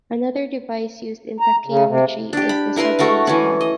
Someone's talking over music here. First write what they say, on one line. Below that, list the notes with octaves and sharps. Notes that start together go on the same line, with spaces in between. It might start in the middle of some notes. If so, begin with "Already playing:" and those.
Another device used in tacheometry is the "subtense bar".
A#5
C#3
C3
D4 G4
B5
E4 A#4 B4 C6
A3 F#4 A#4 F5
E3 C#4
D#5